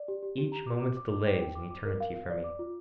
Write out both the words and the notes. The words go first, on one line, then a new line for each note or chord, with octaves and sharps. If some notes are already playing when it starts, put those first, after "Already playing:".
Each moment's delay is an eternity for me.
Already playing: D5
G4
G4
G4
A#5
D6
D6
D6
D6
G5
G5
D6
D6
A#4
F5
F5
D5
D6
F4